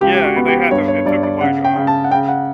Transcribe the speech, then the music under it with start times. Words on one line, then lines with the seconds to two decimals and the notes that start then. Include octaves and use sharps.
Yeah. And they had to it took 'em, like, um
0.01 C#2 G4
0.15 G4
0.24 F#4
0.36 B3
0.48 G4
0.71 G2 C#5
0.88 C#5
1.06 G2 D5
1.23 D5
1.41 C#3 F#5
1.64 G5
1.76 C#3
1.87 A5
2.04 F#5
2.11 C#3 G5
2.28 F#5